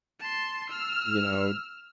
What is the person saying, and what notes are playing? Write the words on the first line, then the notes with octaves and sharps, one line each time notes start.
you know
A5 C6
E6 F6